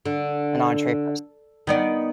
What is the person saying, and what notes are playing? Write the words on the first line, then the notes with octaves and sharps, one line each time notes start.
an entrée first.
D3
D#3 B3 D5